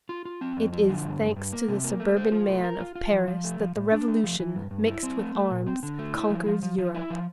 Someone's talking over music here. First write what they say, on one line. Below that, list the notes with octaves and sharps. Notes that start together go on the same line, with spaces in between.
It is, thanks to the suburban man of Paris, that the Revolution, mixed with arms, conquers Europe.
F4
F4
C4
F2
F3
D3
G2
G2
G2
A#3
C3
A#3
A3
C5
F4
A3
A#4
F4
F4
F3
F3
A3
F3
A2
D4
A3
F3
E3
G2
G2
E4
C4
A3
A3
A#2
C4
D3
A3
E4
F3
F3
F3
F3
E4
F3